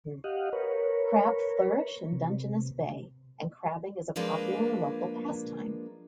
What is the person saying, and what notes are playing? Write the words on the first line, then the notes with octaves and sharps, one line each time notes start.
Crab flourish in Dungeness Bay, and crabbing is a popular local pastime.
G4 D#5 F5 F#5
A#4 B4 C#5
C3
F3 G#3 A#3 D4 B4